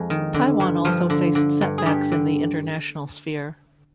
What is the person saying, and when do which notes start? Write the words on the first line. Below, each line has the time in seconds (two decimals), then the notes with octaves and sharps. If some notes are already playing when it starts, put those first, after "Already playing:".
Taiwan also faced setbacks in the international sphere.
Already playing: F2 G#3
0.10 D#3
0.34 D3
0.60 G2
0.85 G2 F3 F4
1.10 D3
1.35 D3
1.61 G2
1.78 G#4
1.86 G2 G3 G4
2.12 D3